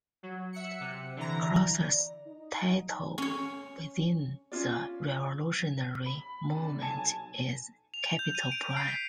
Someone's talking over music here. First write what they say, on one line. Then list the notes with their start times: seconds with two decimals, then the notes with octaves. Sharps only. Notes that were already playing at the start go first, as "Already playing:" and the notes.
Croser's title within the revolutionary movement is Capital Prime.
0.23 F#3
0.53 E5 F#5 C#7
0.80 C3
1.16 D3 E3 A#5
1.79 D5
2.27 D#4
3.18 C#4 C#5
4.52 C#4 D#4 F4 D5
6.06 B5
6.51 C3 D4
6.82 B1 G#5 A5
7.94 F7
8.19 G6
8.35 D#7
8.52 D7
8.77 C7
8.88 B6